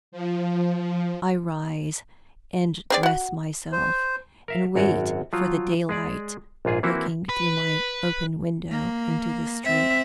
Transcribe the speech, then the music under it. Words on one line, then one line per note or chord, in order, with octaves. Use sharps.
I rise and dress myself, and wait for the daylight, looking through my open window into the street.
F3
F3
C4 G#4 D5
F#4 F#5
C5
A#4 E5 F5
G#1 F#2 F#4 C#5 D5
F3 F#3 F4
G#3 G#4 D5
A#1 G#2 F4 G#4
E3 A#3 C4 E4 F#4
B4
A#3
C4 E5